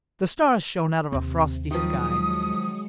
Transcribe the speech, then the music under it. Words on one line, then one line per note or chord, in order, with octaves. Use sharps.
The stars shone out of a frosty sky.
D#2 C3 C4
D#3 F3 F#3 G#3 D#6 C#7